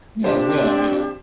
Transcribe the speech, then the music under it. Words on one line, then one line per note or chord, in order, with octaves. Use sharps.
Yeah, yeah, yeah.
C4 D4 G4 C5